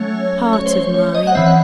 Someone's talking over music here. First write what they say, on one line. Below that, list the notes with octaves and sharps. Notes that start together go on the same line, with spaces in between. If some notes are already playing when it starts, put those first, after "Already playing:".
Heart of mine!
Already playing: F#3 A3 C#4 C#5
C#5
C5
C#5
C#5
D#5
F#5
E3 C4 E5
F#5